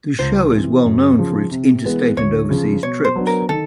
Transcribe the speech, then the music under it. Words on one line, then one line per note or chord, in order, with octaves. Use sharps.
The show is well known for its interstate and overseas trips.
C#2 C5
C3 E3
F#2
C#3 F3
C3
E3 G#3 B3
D2 C#5
C#3 F3
B2 C#5
C5
F#3 B3 D4
A#4
D#3 A4